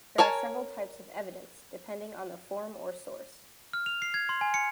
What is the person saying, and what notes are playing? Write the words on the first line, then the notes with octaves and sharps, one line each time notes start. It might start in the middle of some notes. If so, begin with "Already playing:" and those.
There are several types of evidence, depending on the form or source.
A#4 C#5 G#5 A5
F6
F7
C7
G#6
C6
G#5
C#7